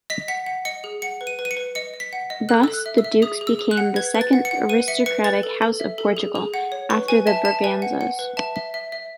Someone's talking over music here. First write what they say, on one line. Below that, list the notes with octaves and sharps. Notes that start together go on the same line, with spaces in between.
Thus the Dukes became the second aristocratic House of Portugal, after the Braganzas.
D#5 B6
F#5 B6
F#5
D#5 C#7
G#4
F#5 C#7
B4
D#7
B4
D#7
C#7
B4
D#5 C#7
D#5
B6
F#5
D#5
A4 F#6
A4 E6
F#6
E5
E6
E5
G#4 D#6
G#4
E6
G#4
F#6
F#5
B4 G#6
B4
A6
F#5
C#7
F#5
B4 D#7
E5 C#7
B4 C#7
B4 A6
A4
A4
E5
A4
G#4
G#4
F#5
C#5
B4 C#6
B4 G#5
E5 A5
E5 A5
B4 G#5
F#5
F#5
B4
E5 A5
E5
E5
E5